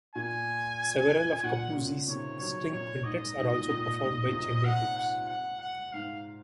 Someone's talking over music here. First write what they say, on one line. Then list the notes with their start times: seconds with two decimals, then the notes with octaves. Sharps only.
Several of Capuzzi's string quintets are also performed by chamber groups.
0.15 A#2 G#5
1.43 A#2 F#5
1.76 A#2 C#3
2.08 C3 D#3 C#5
2.40 D#3 F#3 C#5
2.72 A#2 C#5
3.04 G#2 D#5
3.36 G#2
3.45 A#2
3.54 G#2
3.69 A#2
4.01 G#2
4.25 C3
4.32 A#2
4.65 F#5
4.97 F#5
5.29 F#5
5.61 F#5
5.93 G#2 F5